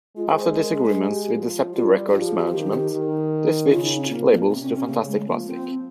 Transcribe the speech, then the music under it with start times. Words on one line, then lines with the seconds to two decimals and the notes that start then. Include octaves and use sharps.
After disagreements with Deceptive Records management, they switched labels to Fantastic Plastic.
0.16 G#3 F4
0.29 C5
0.42 C5
0.56 A#4
0.75 G#4
0.95 G4
1.34 F3
1.74 G3 F4
2.13 F3 G4
2.27 G#4
2.38 G4
2.52 D#3 G4
2.92 D#3
3.70 C#3 F4
3.83 D#4
3.97 C#4
4.09 A#2 A#3
4.30 A#3
4.49 C3 C4
4.61 C#4
4.75 C#4
4.88 C#3 A#3
5.07 G#3
5.27 F3 A#3
5.47 C4